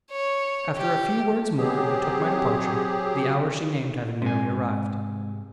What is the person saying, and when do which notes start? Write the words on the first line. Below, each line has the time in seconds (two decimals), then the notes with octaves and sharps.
After a few words more, I took my departure, the hour she named having nearly arrived.
0.11 C#5
0.77 G4
1.58 F#3 C4 G4 G#4
4.22 G#2 C3 G#3 G#5